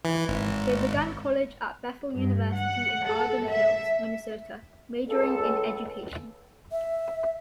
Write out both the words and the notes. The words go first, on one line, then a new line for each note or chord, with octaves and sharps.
They began college at Bethel University in Arden Hills, Minnesota, majoring in education.
E3
G#1
G2
F#5
A4
E5
C#2 A4
E5